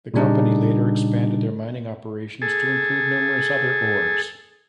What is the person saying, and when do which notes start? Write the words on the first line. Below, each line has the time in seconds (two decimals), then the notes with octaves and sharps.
The company later expanded their mining operations to include numerous other ores.
0.14 A#2 C#3 G3 D4 D#4
2.42 G#4 A4